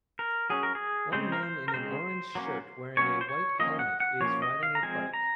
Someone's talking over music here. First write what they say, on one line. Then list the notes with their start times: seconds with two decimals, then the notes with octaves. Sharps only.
One man in an orange shirt wearing a white helmet is riding a bike.
0.19 A#4
0.50 F#3 C#4 G#4
0.63 A#4
0.75 G#4
1.12 C#3 G#3 C4 C5
1.32 A#4
1.43 C5
1.68 A#4
1.74 C#3 G#3 C4 C5
2.35 F#3 A#3 C#4
2.97 F#3 A#3 C#4 C#5
3.21 C5
3.29 C#5
3.59 F3 A#3 C#4 D#5
3.79 F#5
4.00 F#5
4.21 F3 A#3 C#4 C#5
4.42 D#5
4.63 F5
4.75 A#5
4.83 F3 G#3 C4 G#5
5.14 A#5